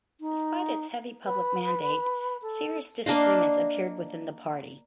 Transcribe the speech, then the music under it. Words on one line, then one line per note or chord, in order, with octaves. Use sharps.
Despite its heavy public mandate, serious disagreements appeared within the party.
D#4
B4
A4
A#3 D4 D#5 F5